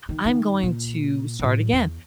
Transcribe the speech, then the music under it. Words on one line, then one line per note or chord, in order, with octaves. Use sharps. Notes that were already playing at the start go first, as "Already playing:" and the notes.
I'm going to start again,
D#3
D#3
A#2
A2 F#3
E2